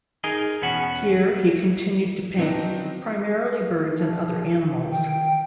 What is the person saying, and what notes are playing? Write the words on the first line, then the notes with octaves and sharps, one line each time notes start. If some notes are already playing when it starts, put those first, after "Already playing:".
Here he continued to paint, primarily birds and other animals.
D#4 G#4 A#4 D#5
E2 B2 B3 C#4 F#4 F#5
D#3 F#3 B3 C4 D4
F3
D#3 G5